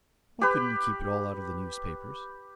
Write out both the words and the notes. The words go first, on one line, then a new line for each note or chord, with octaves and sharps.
"Why couldn't you keep it all out of the newspapers?"
G4 B4